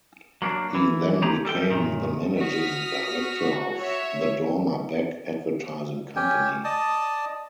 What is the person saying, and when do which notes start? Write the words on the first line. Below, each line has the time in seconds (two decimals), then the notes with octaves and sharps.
He then became the managing director of the Dormer Beck advertising company.
0.42 F#3 A#3 C#4 D4
0.75 E3
1.22 D#2 G#3 A3 G4 G#4 A#5
1.45 G3 A4 G5
1.70 F#2 A#2 D#3
2.41 F#4 D#6 F6 B6
3.79 C#5 E5
6.16 C#4 G4 G5 G#5
6.64 D5 D#5 A5 D#6